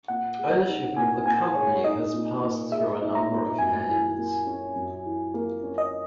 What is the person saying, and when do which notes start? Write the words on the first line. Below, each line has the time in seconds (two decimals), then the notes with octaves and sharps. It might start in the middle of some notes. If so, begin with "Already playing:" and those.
Ownership of the company has passed through a number of hands.
0.08 A#2 F#5
0.38 G#3
0.67 D#4
0.97 A#2 G#5
1.26 A#2 G#5
1.55 G#3 C#5
1.84 D#4 D#5
2.13 A#2
2.42 A#2
2.71 G#3 E5
3.01 D#4
3.15 A#5
3.30 A#2
3.59 F#2 G#5
3.88 E3
4.18 A#3
4.47 C#4
4.75 F#2
5.05 E3
5.34 A#3
5.63 C#4
5.78 D#5